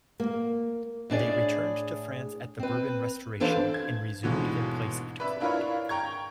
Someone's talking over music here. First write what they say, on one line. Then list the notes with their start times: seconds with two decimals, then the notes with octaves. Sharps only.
They returned to France at the Bourbon Restoration, and resumed their place at court.
0.20 A#3
1.10 A2 D4 G#4 D5
2.59 C4 B4
3.40 E3 D4 A4 B4 C5 F5
3.74 G#6
4.23 D#2 G#2 B2 D3 E3 B3
5.20 B4 D5 E5
5.40 D4 E4 F4 A#4 B4 C#5
5.89 G5 A#5 C#6 G#6